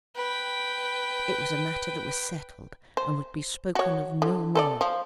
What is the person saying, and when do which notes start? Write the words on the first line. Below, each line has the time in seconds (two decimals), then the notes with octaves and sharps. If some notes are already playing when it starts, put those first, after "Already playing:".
It was a matter that was settled, and would be spoken of no more.
0.16 B4 G5
2.97 C5
3.75 F#4 C#5
4.22 D3
4.55 A4 B4 D5
4.81 F3